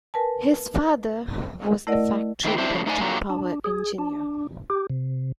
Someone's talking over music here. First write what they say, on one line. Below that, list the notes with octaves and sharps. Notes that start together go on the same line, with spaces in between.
His father was a factory electric power engineer.
A#4 B4 G#5 A5
A3 E4 A#4 D5 D#5 F#5
D#3 A#3 E4 C5 G5
C4 D4 E4 C5
A2 C#3 F3
A3 D#4 C5 D5 G#5
A#2 D3 F#3 G3 A#3
D4
G#4
D4
G4
C3